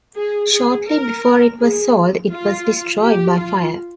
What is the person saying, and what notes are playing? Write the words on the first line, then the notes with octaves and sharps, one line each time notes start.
Shortly before it was sold it was destroyed by fire.
G#4
G#4
A#4
G#4
F4
G4
F4